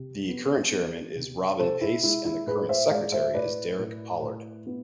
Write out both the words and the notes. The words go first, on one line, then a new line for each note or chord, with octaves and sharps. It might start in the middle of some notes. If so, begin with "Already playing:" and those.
The current chairman is Robin Paice and the current secretary is Derek Pollard.
Already playing: C3
B3
B3
C3
C3 A4 C5
E4
G#3 E4
E4
A2 G#4 B4
C5 E5
G#3 D5 F5
C5 E5
A2 B4 D5
A2
A2
B3